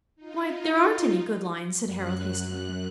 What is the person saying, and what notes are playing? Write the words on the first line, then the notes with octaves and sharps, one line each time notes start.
"Why, there aren't any good lions," said Harold, hastily.
D#4 F4
F#2 F#6